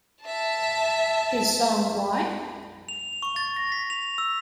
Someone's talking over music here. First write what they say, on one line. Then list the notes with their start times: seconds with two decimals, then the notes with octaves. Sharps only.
His song Why?
0.23 E5 A5
2.89 F7
3.22 C#6
3.36 A6
3.56 A#6
3.72 B6
3.90 F7
4.18 E6